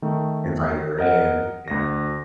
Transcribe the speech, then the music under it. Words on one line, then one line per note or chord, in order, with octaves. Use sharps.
and invited her in. Yeah.
D#3 A3
A#4 D#5 F#5
D2 A#6